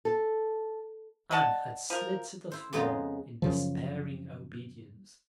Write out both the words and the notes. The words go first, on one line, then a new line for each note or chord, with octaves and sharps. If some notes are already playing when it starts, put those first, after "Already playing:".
Anne had slid to the floor in despairing obedience.
A4
D5 D#5 F#5 A5
F3 A#4
E4 C5
F2 C#3 G#3 B3 D#4 A#5
F#2 C#3 F3